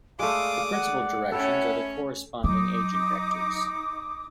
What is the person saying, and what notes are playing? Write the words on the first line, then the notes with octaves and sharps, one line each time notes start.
The principal directions are the corresponding eigenvectors.
G#3 A3 D5 F5 D6 D#6
D5 F#5
C#4 E4 A4 C#5 G5
F#3 D#4 D6 D#6